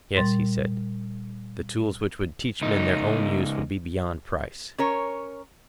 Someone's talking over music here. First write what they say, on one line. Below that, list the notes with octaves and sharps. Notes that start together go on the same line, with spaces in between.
Yes, he said, the tools which would teach men their own use would be beyond price.
A#2 G3 C6 A6
C#2 D#4
C#4 A#4 C#5